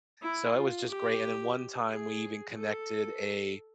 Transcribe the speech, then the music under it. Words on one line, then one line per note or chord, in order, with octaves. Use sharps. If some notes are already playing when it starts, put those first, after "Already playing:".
so, it was just great, and then one time, we even connected a
E4
F4
G4
G#4
A4